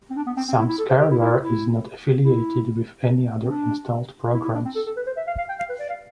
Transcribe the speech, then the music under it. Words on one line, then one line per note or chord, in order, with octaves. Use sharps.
Some scareware is not affiliated with any other installed programs.
C4
D4
B3
C4
C4
E4
E4
A4
C5
G4
E4
E4
F4
E4
E4
C4
D4
E4
E4
D4
C4
A4
A4
B4
C5
E5
F5
F5
G5
F5
B4
D5
F5